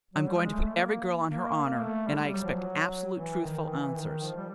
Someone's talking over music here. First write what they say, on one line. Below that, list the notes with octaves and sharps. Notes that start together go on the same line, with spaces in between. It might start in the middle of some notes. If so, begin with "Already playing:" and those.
I am going to put every girl on her honor, and I expect absolutely truthful answers.
F#3
G3
G#3
A3
A#3
A#3
A#3
A#3
A3
G3
F#3
F3
F#3
E3
D#3
E3
D#3
F3
G3